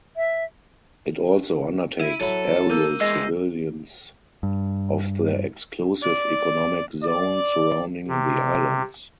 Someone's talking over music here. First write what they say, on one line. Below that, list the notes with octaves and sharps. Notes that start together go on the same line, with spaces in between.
It also undertakes aerial surveillance of the exclusive economic zone surrounding the islands.
E5
E4 D#7
F#3 E4 A4
A#3 E6 G6 D#7
E2 G#3 D#5 E6 A#6 C7
G2
D5
D5
C3